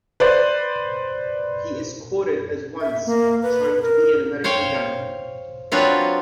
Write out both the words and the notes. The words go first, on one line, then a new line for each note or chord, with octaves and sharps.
He is quoted as once "trying to be an American Gandhi".
B4 C5 D5
E5
A#3
B4
A#4
C5 C#5 F5 G5
F#3 C4 D4 F4 B4 C#5